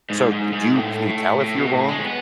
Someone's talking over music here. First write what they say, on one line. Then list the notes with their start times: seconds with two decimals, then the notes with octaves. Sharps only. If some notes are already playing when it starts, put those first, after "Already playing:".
So c you can you tell if you're wrong?
0.10 G#2
0.32 G#2
0.53 G#2
0.76 A2
1.07 A2
1.41 A2
1.57 B2
1.72 A2
1.88 G#3
1.99 C#4
2.05 B3